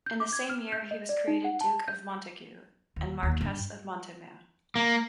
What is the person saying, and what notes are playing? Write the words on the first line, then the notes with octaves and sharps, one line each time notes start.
In the same year he was created Duke of Montagu and Marquess of Monthermer.
G6
D6
G#6
F6
G6
D#5
D5
D#4
F#5
A5
G6
D#2
D#2
G2
A#3